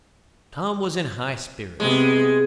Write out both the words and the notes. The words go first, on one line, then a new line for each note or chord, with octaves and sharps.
Tom was in high spirits.
C3 G#3 B3